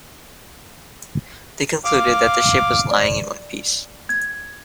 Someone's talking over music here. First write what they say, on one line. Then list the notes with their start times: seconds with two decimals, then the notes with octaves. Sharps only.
They concluded that the ship was lying in one piece.
1.84 F5 D6
2.91 D5
4.09 G#6